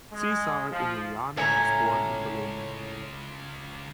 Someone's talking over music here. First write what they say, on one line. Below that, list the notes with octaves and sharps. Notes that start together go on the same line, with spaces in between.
Cesare Emiliani was born in Bologna.
G#3
F3
C#2 A2 C#4 E5 G#5 A#5